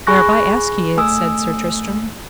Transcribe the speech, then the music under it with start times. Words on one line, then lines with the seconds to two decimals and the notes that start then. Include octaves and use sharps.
Whereby ask ye it? said Sir Tristram.
0.07 G#4 G#5 B5 C#6 F#6 A#6
0.97 A3 G#5 D#6 E6